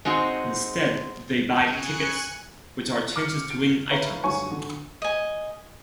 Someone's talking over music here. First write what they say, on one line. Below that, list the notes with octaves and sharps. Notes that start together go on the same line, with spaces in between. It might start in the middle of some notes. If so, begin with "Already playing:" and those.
Instead, they buy tickets, which are chances to win items.
G#3 C4 D#4 F#4
C#3 G#5 F#6 C#7
D6 F6 C#7
D7
B4 C#5 E5 F5 A#5 B5
D2 G2 F#3 G#5 C#6
D3
D#5 G#5